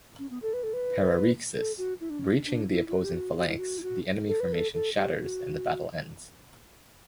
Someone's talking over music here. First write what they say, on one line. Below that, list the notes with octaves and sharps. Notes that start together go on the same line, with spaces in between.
"Pararrhexis": "Breaching" the opposing phalanx, the enemy formation shatters and the battle ends.
C#4
B3
A4
B4
A4
B4
A4
F#4
E4
D4
C#4
D4
D4
E4
E4
F#4
G4
F#4
F#4
E4
F#4
E4
F#4
A4
B4
A4
A4
G4
F#4